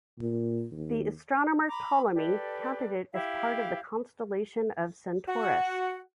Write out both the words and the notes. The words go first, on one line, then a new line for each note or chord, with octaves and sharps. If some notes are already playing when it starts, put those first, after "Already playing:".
The astronomer Ptolemy counted it as part of the constellation of Centaurus.
A#2
D#2
A#5 B5 D6
G4 A4 B4 D5
E4 G4 F5
F#4 F#5